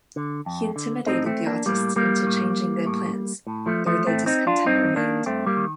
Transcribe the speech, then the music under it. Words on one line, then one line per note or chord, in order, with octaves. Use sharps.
He intimidated the artists into changing their plans, though their discontent remained.
D3
F2
D3
A2 C4 D#4
A3 C4
A#3 D4
A2 G3 A#3
G3 A#3
A2
A2
A2
F3 A3
F3 A3
A2 A3 C4
C4 D#4
D4 F4
G2 C4 D#4
D#3 A#3 D4
G2 A3 C4
G3 A#3
D#3